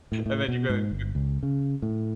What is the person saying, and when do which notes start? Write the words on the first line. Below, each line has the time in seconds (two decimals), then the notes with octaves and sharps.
And then you go in
0.12 A2
0.26 A2
0.48 B2
0.70 G#2
0.91 G1
1.15 C#2
1.43 C#3
1.82 A2